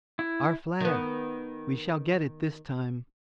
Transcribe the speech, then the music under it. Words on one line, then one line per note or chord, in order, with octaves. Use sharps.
"Our flag--we shall get it this time."
E4
D#3 B3